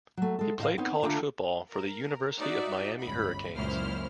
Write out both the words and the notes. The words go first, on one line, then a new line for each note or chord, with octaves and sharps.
He played college football for the University of Miami Hurricanes.
F#3 A3
G#3 A4
A2 C5 D#5 F5
B3 C4 D#4 C#5
D3 A3 D4 F4 G5 A#5
A#4
D#4 F#4 D5 E5
G1 C#2 B5
C#2 F#2 A#2 E4 C5 F6